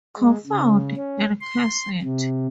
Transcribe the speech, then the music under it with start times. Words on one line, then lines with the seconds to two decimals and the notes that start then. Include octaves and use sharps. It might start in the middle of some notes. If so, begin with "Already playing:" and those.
Confound and curse it!
0.17 G#3
0.47 C#3
0.97 C#4
1.41 C6
2.02 C3